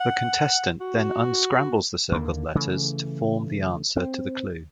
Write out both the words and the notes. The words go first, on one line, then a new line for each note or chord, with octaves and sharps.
The contestant then unscrambles the circled letters to form the answer to the clue.
F#5
F#4
D#2 D3 A#3
C#3 E3 A3
C4